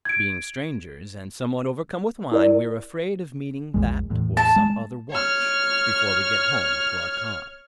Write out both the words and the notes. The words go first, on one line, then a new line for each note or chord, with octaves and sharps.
Being strangers, and somewhat overcome with wine, we are afraid of meeting that or some other watch, before we get home to our khan.
G#6 D7
E4 A#4 D5
A#1 E2 G#3
E2 A2
A5
G#3
C#5 F6